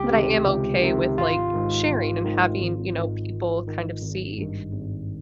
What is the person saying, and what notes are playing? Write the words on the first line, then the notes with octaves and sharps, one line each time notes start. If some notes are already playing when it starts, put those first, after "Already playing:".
but I am okay with, like, sharing and having, you know, people, kind of, see,
Already playing: C#2 G4
C3 D#3
C#2
C3 D#3
G#1 F4
G#2 D#3
G#1
G#2 D#3
G#1
G#2 D#3
G#1
G#2 D#3
G#1
G2 D#3
G#1